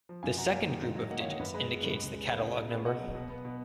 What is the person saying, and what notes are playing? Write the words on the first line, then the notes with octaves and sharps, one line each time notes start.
The second group of digits indicates the catalogue number.
F3
F#2 F5 G#5
F#3 F#5 A#5
A#3 F5 G#5
D#3
G#2
F#3
A#3 D#5 F#5
C#5 F5
D#3 D#5 F#5
F#2 B4
G#3 B4 D#5
B3
C#3
C#2
G#3
B3 C#5 F5
C#3
B2
B3
B2 D#5 F#5
F#3
B2
B3
B2